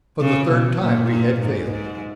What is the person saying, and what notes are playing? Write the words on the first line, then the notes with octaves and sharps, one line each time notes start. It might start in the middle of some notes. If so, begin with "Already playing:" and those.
For the third time we had failed.
C#3
B2
A#2
A#2
G#2
G#2